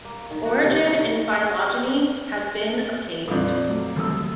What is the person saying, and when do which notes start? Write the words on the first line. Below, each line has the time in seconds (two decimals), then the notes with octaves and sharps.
Origin and phylogeny has been obtained.
0.05 A#3
0.31 D#3
0.45 F#4
0.63 C3
0.86 C#5
3.28 A#1 F2 A4 D5
3.68 F#3 A3
3.96 D#2 A4 E6